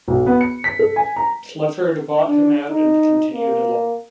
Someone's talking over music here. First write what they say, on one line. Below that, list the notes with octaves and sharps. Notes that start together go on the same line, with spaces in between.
Clifford bought him out and continued alone.
B1
B3
C#7
B6
A4
G#5
A#5
D4
D#4
A#3